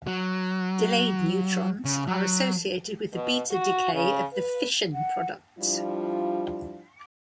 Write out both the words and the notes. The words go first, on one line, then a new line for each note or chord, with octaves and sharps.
Delayed neutrons are associated with the beta decay of the fission products.
F#3
C#3
F#3
B2
F#4
C#3
B4
F#5
F3 G3 D4 E4 F4